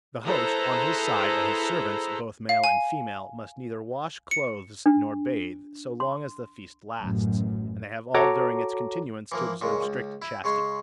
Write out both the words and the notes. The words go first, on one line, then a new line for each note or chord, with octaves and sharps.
The host, on his side, and his servants, both male and female, must neither wash clothes nor bathe so long as the feast lasts, and they have all during its continuance to observe strict chastity.
E4 G#4 A4 B4 C5 A#5
F5
G#5
C#7
D4
C6
A1 F#2
F#4 A4 C#5 A#5 D6
E3 F3 A#3
A#2 C#3 G#3
C#2
E4
C#3 G#3 C#5 C6